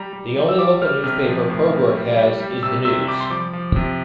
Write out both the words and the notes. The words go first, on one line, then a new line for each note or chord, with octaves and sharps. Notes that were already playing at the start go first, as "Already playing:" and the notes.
The only local newspaper Purbrook has is "The News".
Already playing: G3 A#5
G3
G3
E6
G3 D6
G3 F6
C3 F6
F3
A2
A2
G3
G3
G3
C3 E6
C3 E6
E6
G3 D6
C6
F3 D6
F3
C3